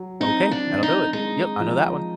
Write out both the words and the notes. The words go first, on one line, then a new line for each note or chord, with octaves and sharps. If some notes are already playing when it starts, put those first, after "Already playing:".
Okay, that'll do it, yep, I know that one.
Already playing: F#3
C4 D#4
D4
D#3
D#4
G#3 D#4
F3